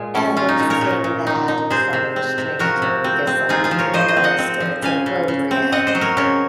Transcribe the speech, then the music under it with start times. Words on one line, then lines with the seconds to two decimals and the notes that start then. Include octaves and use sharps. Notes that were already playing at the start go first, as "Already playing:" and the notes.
ever sing that in front of a stranger because I would be embarrassed or it's inappropriate?"
Already playing: A#2 G#3 F4 G#4
0.15 C#4
0.37 C#4 F4
0.49 D#4
0.59 A#2 D#4
0.70 A#4 C#5
0.81 A#2
1.04 A#2
1.27 D#4
1.48 D#4
1.70 C3 G#4 C5
1.93 C3
2.16 C4
2.38 C3
2.59 F3 F#4 A#4
2.82 C3
3.04 C4
3.27 C4
3.49 D#4 F4 G#4
3.64 F4 G#4
3.71 F3
3.79 A#4 C#5
3.94 F3 C5 D#5
4.08 C5 D#5
4.17 C4
4.24 D#5 F#5
4.38 C4
4.60 F3
4.82 C#3 F5 G#5
5.06 C#3
5.28 C#3
5.51 C4
5.72 C4 D#5 F#5
5.87 C5 D#5
5.95 F#3
6.01 A#4 C#5
6.17 C#3 A#4 C#5